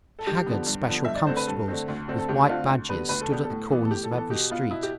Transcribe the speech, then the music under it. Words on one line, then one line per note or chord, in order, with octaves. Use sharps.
Haggard special constables with white badges stood at the corners of every street.
A4
G2 G4
D3 F3 B3
G2
D3 F3 B3
G2 E5
D5
D3 A3 C4 C5
B4
G2 A4
D3 A3 C4
D2
D3 A3 C4
A4
D2 G4
D3 A3 C4 F4
D2
D3 G3 B3 B4
D2 B4
A4
D3 G3 B3 G4
A4
A2
E3 B3
A4
A2 G4
A4
E3 B3
A4
B2 G4
B3 F4
B2 E4
G4